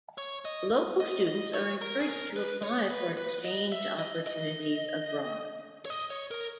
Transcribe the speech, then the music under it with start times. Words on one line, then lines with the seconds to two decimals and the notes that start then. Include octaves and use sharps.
Local students are encouraged to apply for exchange opportunities abroad.
0.18 C#5
0.45 D#5
1.00 D#5
1.27 D#5
1.54 C#5
1.81 A#4
2.00 G#4
2.08 A#4
2.36 B4
2.63 C#5
2.90 B4
3.17 B4
3.45 D#5
3.72 E5
3.99 D#5
4.27 D#5
5.85 C#5
5.90 D#5
6.10 C#5
6.31 A#4